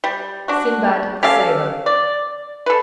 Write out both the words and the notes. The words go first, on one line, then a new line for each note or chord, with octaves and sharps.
"Sinbad the Sailor."
G3
D4 F#4
C#4 G4 A4 F5
D5
A4 B4